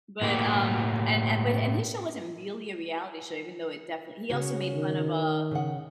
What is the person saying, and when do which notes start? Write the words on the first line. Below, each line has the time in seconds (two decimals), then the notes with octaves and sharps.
But, um, and and, but, and his show wasn't really a reality show, even though it definitely he also made fun of, uh,
0.22 A2 A#3 G4
4.30 C#3 F#4 C#5
4.74 D#3
5.51 C#3 F#5